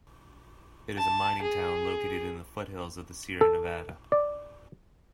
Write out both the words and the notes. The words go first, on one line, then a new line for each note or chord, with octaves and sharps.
It is a mining town located in the foothills of the Sierra Nevada.
A5
G#4
A4
D5